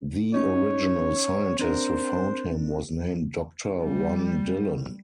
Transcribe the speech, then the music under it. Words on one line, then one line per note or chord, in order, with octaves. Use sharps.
The original scientist who found him was named Doctor Ron Dillon.
C#4 D#4 C#5
C4 D4 A#4 C5
G3